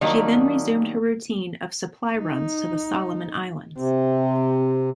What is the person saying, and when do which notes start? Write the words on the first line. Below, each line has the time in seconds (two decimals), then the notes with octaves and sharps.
She then resumed her routine of supply runs to the Solomon Islands.
0.01 D#3 F#3 G3 A#3 D4 D#4
2.18 D#4
3.78 C3 C4